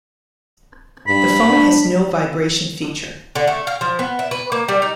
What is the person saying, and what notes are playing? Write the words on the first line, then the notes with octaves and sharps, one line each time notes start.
The phone has no vibration feature.
G2 B5
D4
D3
A3
F5
F3
B3
E5
B4
A#3
G3
D#4